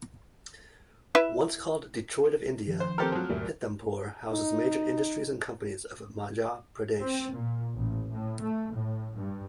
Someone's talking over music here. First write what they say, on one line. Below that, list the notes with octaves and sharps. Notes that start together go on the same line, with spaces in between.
Once called, 'Detroit of India', Pithampur houses major industries and companies of Madhya Pradesh.
E4 B4 E5
D#3 F3 C#4
C5
C4 G4 A4 A#4 C5 F6
F3 F#3
D2 G2 A#2 G3 A3
D#4
C4
A#2
A1
A2
A3
A2
G2